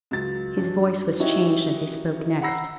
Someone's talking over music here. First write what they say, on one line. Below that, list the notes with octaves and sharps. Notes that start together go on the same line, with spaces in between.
His voice was changed as he spoke next.
C#2 F#3 A6
G2 F#3 C#4 D4
C#4 D#4 E4 F#4 G4 C#5
F#5 A#5 B5 E6 A#6 C7